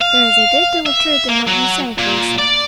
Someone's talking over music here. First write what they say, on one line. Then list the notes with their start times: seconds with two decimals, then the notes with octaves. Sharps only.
"There is a good deal of truth in what you say, Teresa."
0.01 F5
0.86 E5
1.29 A#3
1.47 F#3
1.98 A#2
2.38 D5